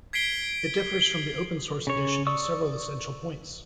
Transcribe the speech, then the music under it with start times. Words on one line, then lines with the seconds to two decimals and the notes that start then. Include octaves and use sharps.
It differs from the open source edition in several essential points.
0.13 G#6 B6 C7 D7 G7
1.87 C#3 C#5
2.27 D5 C#6 D#6 E6